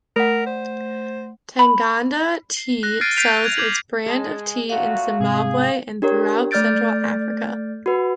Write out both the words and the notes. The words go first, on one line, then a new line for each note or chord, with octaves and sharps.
Tanganda Tea sells its brand of tea in Zimbabwe and throughout central Africa.
A3 A#4 F#5
C5
B5
C7
F#6 A#6
F6 G#6 A6 C7 D7 D#7
G6 B6 C7 D7 D#7 F7
F#6 G#6 F7
D6 G6 G#6 F#7
G#3 G#4 A5
A#2 A3 F#4 F5
G#2 C3 G#4
D4 G4 A#4 C#5
A3 D5 F6 G6 A6 D7
F#4 B4